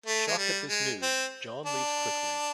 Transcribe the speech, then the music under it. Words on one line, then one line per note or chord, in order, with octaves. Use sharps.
Shocked at this news, Jon leaves quickly.
A3
G#3
G3
G#3
C4
D4